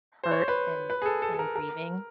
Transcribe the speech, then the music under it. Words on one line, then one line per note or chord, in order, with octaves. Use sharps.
hurt and and grieving,
C5
C#5
C5
B4
B4
G#4
A4
A4
A4
A#4
A#4